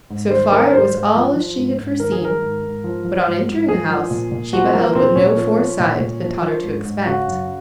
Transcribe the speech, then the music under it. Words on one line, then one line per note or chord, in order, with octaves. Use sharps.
So far it was all as she had foreseen; but on entering the house she beheld what no foresight had taught her to expect.
G#2
D#3 C5
D#3 A#4
G#2 C5
G#2
F3
F3
G#2
G#2
D#3 A#4
G#4
D#3 A#4
G#2
G#2
F3
F3
G#2
G#2
F3 G#4
F3
A#2
A#2
F3 F#4
C4
F3 A#3
A#2 C4
A#2 C#4
F3
F3
A#2
A#2
F3
F3
G#2
G#2
C#3 F#4
F#2